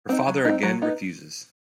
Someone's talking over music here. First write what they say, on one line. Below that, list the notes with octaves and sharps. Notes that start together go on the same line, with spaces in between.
Her father again refuses.
C4 D#4
F#3
C4 D#4
F#3
B3 D#4